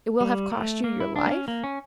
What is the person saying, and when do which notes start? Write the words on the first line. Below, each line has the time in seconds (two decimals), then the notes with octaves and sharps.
It will have cost you your life?
0.21 G3
0.51 A3
0.84 A#3
1.00 E4
1.16 D4
1.27 A#3
1.31 C#4
1.48 A#3
1.64 C#4